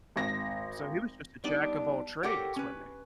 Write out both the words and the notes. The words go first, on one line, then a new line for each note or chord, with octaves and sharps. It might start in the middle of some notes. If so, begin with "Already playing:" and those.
So he was just a jack-of-all-trades, wasn't he?
G#1 A#6
G3 B3 D4 D#4
G4 A4 A#4 C#5 F#5 G5
C#4 B4